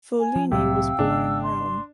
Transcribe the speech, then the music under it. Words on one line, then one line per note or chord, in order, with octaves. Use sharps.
Follini was born in Rome.
G#5
F3
C2 A2 C3 F#3 F5 G5 E6
G#1 C#3 B3 D4
C6